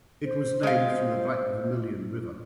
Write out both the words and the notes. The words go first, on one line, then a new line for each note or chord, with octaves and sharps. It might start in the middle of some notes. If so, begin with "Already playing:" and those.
It was named from the Black Vermillion River.
C5
G#3 F5